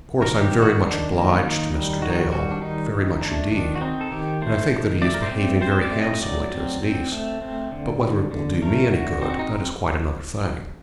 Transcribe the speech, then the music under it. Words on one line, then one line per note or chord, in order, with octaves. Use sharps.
Of course I am very much obliged to Mr. Dale,--very much indeed,--and I think that he is behaving very handsomely to his niece. But whether it will do me any good, that is quite another thing.
D#3 A#4
G4
D#3
F#4
D#3 D4
A#3
D#3 D#4
G3
D#3 F#4
D#4
F#4
G3 F#4
D4
D#3 D#4
D#3
A3 D4
D#3 D4
F#4
C4 D#4
A4
D#3 G4
A3 C5
D#3
A3 D5
A#4
C5
C4 D5
C4 C5
C5
D5
A3
D#5
F#3 D5
C4
C4
A3
C4
D3
D3
D3
A3 A#4
D3 F#4
C4 D#4
F#4
D#4